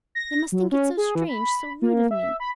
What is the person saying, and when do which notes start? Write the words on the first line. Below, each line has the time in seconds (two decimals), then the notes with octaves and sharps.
They must think it so strange, so rude of me!
0.15 A#6
0.52 F#3
0.72 C#4
0.97 G#4
1.15 E3
1.29 B5
1.82 A#3
2.11 E5
2.40 B5